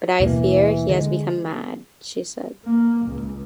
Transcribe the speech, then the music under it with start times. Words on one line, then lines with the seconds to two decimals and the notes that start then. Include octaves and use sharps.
"But I fear he has become mad," she said.
0.20 D#2 B2 E3 A#3
0.89 D3 G#3
2.65 A#3
3.07 C#2